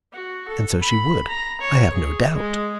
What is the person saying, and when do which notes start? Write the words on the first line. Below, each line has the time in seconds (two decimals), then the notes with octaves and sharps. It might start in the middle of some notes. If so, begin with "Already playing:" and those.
And so she would, I have no doubt.
0.13 F#4
0.48 A4
0.83 B5
1.29 A#5
1.61 C#5
1.93 G#4
2.34 G#3